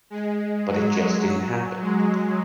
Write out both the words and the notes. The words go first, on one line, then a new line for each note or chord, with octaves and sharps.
But it just didn't happen.
G#3
F#3
G#3